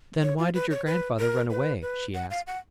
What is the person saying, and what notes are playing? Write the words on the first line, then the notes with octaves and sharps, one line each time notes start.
"Then why did your grandfather run away?" she asked.
C#5
F4
B4
C#5
B4
A#4
B4
B4
F#5
F5
F#5